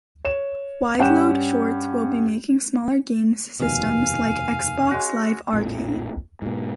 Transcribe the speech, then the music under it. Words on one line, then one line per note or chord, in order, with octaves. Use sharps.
Wideload Shorts will be making smaller games systems like Xbox Live Arcade.
C#5 E7
G2 C#4 F#5 G5 G6 E7
F1 D#2 B2 F5 G#5
G#3 C#4 F#4
A#1 F2 A2
G#2 B2